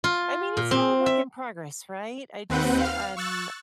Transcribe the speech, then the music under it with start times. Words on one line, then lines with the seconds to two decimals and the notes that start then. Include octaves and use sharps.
I mean, it's all a work in progress, right? I just, um
0.04 F4
0.57 A#2
0.71 C4
1.06 E5
2.50 D#2 C4 B4 F#5 G6
2.80 F5 F6
3.17 C#6 E6 F#6 A6